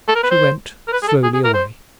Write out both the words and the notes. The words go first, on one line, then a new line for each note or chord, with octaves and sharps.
She went slowly away.
A4
A#4
B4
C5
A#4
B4
G#4
A4
G#4
G#4
A#4
C5